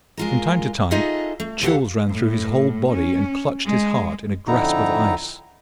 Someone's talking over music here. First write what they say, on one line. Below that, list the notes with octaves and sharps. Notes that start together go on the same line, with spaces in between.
From time to time chills ran through his whole body, and clutched his heart in a grasp of ice.
G#3 F4 A#4
D#4 F4 G#4 A4 D#5 E5
A3
D2 F4 G4 A4 F5 F#5
A2
C#4
G#3
F2 D3 D#4 E4 A#5